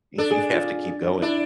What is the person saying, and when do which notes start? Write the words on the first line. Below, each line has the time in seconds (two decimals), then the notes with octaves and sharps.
you you have to keep going,
0.18 D4 A4
0.30 G#4
0.53 F4
1.22 D4 E4